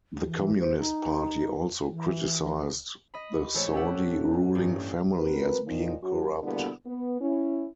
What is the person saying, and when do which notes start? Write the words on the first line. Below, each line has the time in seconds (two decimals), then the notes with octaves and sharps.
The Communist Party also criticized the Saudi ruling family as being corrupt.
0.25 E3
0.60 C5
0.79 D#4
1.90 E3
3.14 D#5 B5
3.54 A#1 A3 A4 C#5 A5
3.73 C#4 G4 E5 F#5
4.55 A1 G2
5.20 C4 F#4 A#4 B4
5.66 A#2 D#3 F3 A#3 D#4
6.03 F#2 F#4
6.43 B2 D3 G3 A#3 B3 E4
6.86 B3
7.21 C#4 E4